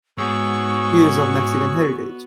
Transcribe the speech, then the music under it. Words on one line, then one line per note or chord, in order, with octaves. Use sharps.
He is of Mexican heritage.
G#2 B3 F#4 G#4 C#5 C#6 E6